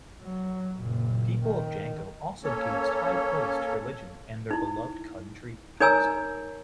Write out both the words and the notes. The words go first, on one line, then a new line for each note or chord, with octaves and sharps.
People of Jango also gives high place to religion and their beloved country Pakistan.
F#3
F#1 A#2
D#3
A#3 C#4 A4 C#5
D#4 E4
D#4 A#4 C#5 G#5 A#5 E6